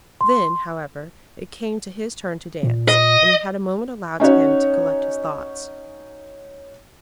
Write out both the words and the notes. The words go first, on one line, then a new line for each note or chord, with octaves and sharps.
Then, however, it came to his turn to dance, and he had a moment allowed to him to collect his thoughts.
C6
A#2
D#5
C#4 D#4 F#4 C#5